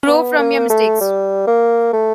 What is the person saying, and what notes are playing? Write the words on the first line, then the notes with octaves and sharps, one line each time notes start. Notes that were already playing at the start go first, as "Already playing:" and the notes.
You grow from your mistakes.
B3
A#3
A3
G3
A#3
A3